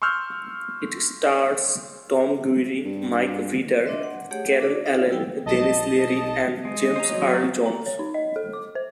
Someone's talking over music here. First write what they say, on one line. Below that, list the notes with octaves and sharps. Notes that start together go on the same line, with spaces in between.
It stars Tom Guiry, Mike Vitar, Karen Allen, Denis Leary and James Earl Jones.
C6 C#6 E6 F6 G6
G2
D4 A#4 D#5 E5 C6
F#5
A3 G4 G#4 C#5 F#5
D4 F#4 G#4 D5
D#4 F4 C#5 D5 E5 F5
F#3 E4 A4 G5
B1 D#5 A5
G#3 D#5
F#3 C5 G#5 A#5
A#5
C#5
D#4
D#5
A4
D6
C5